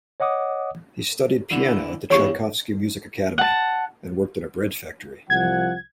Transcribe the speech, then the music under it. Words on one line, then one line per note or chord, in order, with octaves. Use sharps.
He studied piano at the Tchaikovsky Music Academy, then worked in a bread factory.
C#5 D#5 F#5 D6 D#6
D3 E3
E2 G2 C#5 C#6
F#5 A5
C2 F3 F#5 G#6